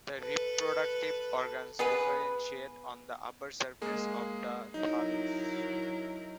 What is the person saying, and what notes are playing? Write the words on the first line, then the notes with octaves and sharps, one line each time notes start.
The reproductive organs differentiate on the upper surface of the thallus.
A4 B4
B3 G#4 B4
G#3 A#3 G#4
F#3 D#4 E4 A#4